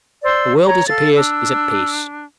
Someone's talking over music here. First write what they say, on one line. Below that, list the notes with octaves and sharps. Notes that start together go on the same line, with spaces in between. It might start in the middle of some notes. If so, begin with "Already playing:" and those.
The world, it appears, is at peace.
C5 D5 E6
C#5 A#5
A4 F5 A6
D4 E6